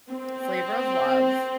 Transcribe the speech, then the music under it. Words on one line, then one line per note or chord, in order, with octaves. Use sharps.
Flavor of Love,
C4